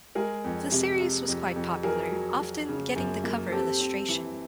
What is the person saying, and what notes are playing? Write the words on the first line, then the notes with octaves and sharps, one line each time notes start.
The series was quite popular, often getting the cover illustration.
G#3 G#4 A#4
F2
C3
C3
F2
F2
F#3 G#4 A#4
F#3
F#3
C#3
F#2
A#3
C4 G4 A4
C4
E3